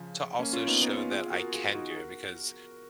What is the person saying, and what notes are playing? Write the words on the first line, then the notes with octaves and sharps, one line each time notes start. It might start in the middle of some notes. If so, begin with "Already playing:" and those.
To also show that I can do it, because
Already playing: C#3 F3
A#3 C#4
C#4 F4
B3 D#4
B3 D#4
C#4 F4
F4 G#4
F#4 A#4
F4 G#4
D#4 F#4
G#4
F#4 A#4